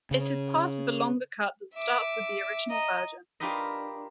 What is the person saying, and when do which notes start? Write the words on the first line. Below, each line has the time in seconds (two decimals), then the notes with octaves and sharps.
It is part of a longer cut that starts with the original version.
0.11 C#3
1.74 E5 D6
2.69 D#5 A#5
3.40 D4 F4 G4 A#4 B4 D#5